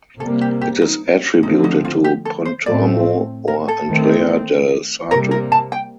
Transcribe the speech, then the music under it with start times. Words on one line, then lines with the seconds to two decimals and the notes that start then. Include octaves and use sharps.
It is attributed to Pontormo or Andrea del Sarto.
0.20 C3 G3 A#3 A4
0.41 G4
0.61 G4
0.82 D#4
1.43 D3 F3 A3 C4 D#4
1.64 D#4
1.85 F4
2.04 G4
2.25 A4
2.45 C5
2.66 A2 A3 C4 D5
3.48 A#4
3.68 A4
3.88 D#3 A3 C4
5.11 C3 G3 A#3 A#4
5.31 A#4
5.52 A5
5.72 G5